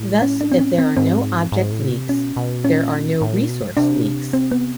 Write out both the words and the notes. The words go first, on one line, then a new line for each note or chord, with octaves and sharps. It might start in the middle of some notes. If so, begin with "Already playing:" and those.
Thus if there are no object leaks, there are no resource leaks.
Already playing: A2
C#4
D4
C4
C#4
C4
G#2 C4
G#2
A2
C3
B2 C#4
B2
A#2 C#4
A2
A#2
B2
C3 D4
C4
B3